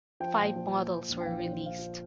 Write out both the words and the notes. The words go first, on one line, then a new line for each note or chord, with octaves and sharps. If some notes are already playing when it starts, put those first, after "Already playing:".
Five models were released.
F3 G5
A#2
F3
A#2
A#2
A#1
G5
A#1 F5
C5
A#2
C5
A#2 F5
F3